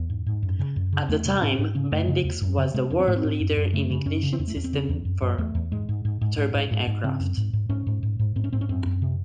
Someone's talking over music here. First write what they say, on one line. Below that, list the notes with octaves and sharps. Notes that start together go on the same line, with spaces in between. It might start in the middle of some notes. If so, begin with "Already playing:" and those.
At the time, Bendix was the world leader in ignition systems for turbine aircraft.
Already playing: E2
G#2
G#2
F#2
C#3
F#2
C#3
E2 A3
C3
G#2 C#4
G#2
C#3 C#4
F#2 A3
C#3
E2
F#2
C#3
C3 G#3
E2 C#4
C4
G#2 A3
C4
G#2
F#2
F#2
C#3 A3
C#3
F#2 C#4
C#3
C4
E2 C#4
A3
E2 C#4
C4
C#3
E2
F#2
F#2
E2 A3
E2
G#2 G#3
G#2
G#2
G#2
G#2
G#2
G#2
G#2
C#3 C4
F#2
G#2
G#2
G#2 C#4
G#2
G#2
G#2
G#2 C4
C#4
G#2 C4
C#4
F#2 C4
F#2
C3